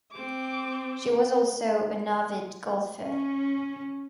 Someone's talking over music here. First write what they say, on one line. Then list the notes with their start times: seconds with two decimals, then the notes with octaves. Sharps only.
She was also an avid golfer.
0.12 C4 D6
2.99 C#4